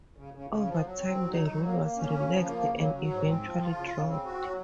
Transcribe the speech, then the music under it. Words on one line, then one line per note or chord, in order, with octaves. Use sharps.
Over time the rule was relaxed and eventually dropped.
C#3
C#3
C#3
F3
F#3
C4
F#3
D#4
F#3
A#3
A#3
C#4
C#3
F3
A#3
C#3
F#3
F#3
G#2
C4
F3
F4
C#3
C#3
C4
F#4
F#3